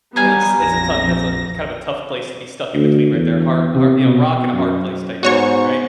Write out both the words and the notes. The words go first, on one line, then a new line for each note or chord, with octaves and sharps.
That's it's a tough it's a kind of a tough place to be stuck in between right there, har har you know, rock-and-a-hard-place type thing. Right?
F#3 G3 B3 F5 G#5 A#5
A#1 F2 A#6
D2
E2
C3
B2
F#2
G#2 B3 F#4 C5 C#5 C#6